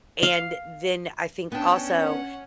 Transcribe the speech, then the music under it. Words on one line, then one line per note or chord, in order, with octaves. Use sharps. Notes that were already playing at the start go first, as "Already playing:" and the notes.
and then, I think also
F5
B3 C#4 D4 G5 A5
F#5